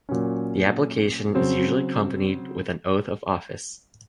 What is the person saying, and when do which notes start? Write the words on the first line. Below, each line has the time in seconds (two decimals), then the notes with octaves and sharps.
The application is usually accompanied with an oath of office.
0.09 A#2 F#3 C#4
1.34 C#3 F#3 C4